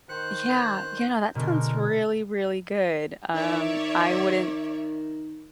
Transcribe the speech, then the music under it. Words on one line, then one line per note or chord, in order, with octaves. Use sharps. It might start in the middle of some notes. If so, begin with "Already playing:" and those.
Yeah, yeah, no, that sounds really, really good. Um, I wouldn't
D#3 C5 F#6 C#7
B2 D3 G#3 D#4 A#4
D#3 C#5 D5 E5